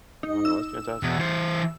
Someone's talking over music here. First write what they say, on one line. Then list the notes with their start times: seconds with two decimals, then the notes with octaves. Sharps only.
Wow, that's fantastic.
0.23 D#4
0.45 E6
1.03 E2 B2
1.19 E3 C5